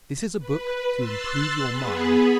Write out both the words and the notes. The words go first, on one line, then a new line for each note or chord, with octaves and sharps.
This is a book to improve your mind.
B4
C6 E6 F#6 A6
B3 G#4 B4